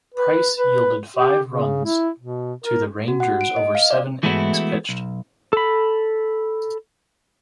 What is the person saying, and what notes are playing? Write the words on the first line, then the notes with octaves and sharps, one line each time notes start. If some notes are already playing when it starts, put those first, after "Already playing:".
Price yielded five runs to the Rangers over seven innings pitched.
B4
B4
G4
C#3
E4
B2
A#4
F#4
F#5
D7
D#5
F5
D5
E3 G#3 A3 B3 E4 F#4
B1
A4 B5